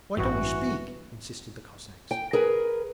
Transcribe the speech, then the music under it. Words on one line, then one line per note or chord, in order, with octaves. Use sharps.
Why don't you speak?' insisted the Cossacks.
A1 G2 E3 F#4
G5
G#4 A#4 B4